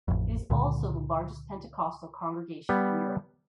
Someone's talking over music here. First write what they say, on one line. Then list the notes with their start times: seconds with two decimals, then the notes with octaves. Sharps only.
It is also the largest Pentecostal congregation in Europe.
0.08 A1 F2
0.50 C#2 A#2 D3
2.69 G3 B3